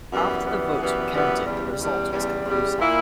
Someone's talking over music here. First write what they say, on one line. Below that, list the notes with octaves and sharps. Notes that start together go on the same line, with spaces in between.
After the votes were counted the result was conclusive.
F#2 E3 G3 B3
F#2 E3 G3 B3
F#2 E3 G3 B3
F#2 E3 G3 B3
E2 C#3 G3
E2 C#3 G3
E2 C#3 G3
E2 C#3 G3
A#2 A#3 E4